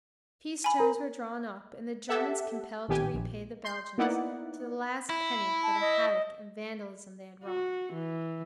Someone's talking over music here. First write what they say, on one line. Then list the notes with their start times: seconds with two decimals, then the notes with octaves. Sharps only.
Peace terms were drawn up and the Germans compelled to repay the Belgians to the last penny for the havoc and vandalism they had wrought.
0.64 G#5 B5
0.79 A#4 A#5
2.09 G4 A4 E5 F#5
2.88 A#1 A2 D#3 B3 G4 G#5
3.14 A#1
3.65 C6 G6
3.98 A#3 B3 D#4 E4 D5 F#5
5.09 E4
5.63 A5
5.81 D#5
7.45 F#4
7.93 E3